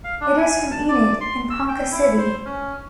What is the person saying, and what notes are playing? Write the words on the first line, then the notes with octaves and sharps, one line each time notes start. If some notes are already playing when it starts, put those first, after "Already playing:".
It is from Enid and Ponca City.
F5
D4
G#5
A5
D5
C6
E6
G5
E4
C5
C#4